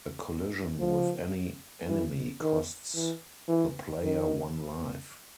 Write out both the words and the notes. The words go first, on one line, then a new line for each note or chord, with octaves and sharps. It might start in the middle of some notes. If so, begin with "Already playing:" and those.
A collision with any enemy costs the player one life.
F3
E3
D#3
E3
E3
D#3